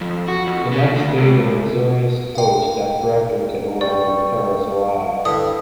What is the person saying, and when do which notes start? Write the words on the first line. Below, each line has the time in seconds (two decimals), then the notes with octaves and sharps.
The next day the luxurious coach that Frederick had ordered in Paris arrived.
0.01 F2
0.28 F#4
0.47 F2
0.73 C#3
0.96 D2
1.18 C#2
2.35 F5 G5
3.81 B4 D5 G5 C#6
5.25 G2 D3 E4 B4 D5 D#6